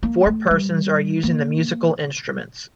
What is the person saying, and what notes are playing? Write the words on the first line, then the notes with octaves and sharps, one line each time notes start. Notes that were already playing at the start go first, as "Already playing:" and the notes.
Four persons are using the musical instruments.
A#3
A3
G3
A#3